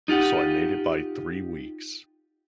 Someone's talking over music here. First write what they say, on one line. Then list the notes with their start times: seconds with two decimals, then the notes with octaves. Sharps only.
So I made it by three weeks.
0.08 D#4 F4 G4 F#5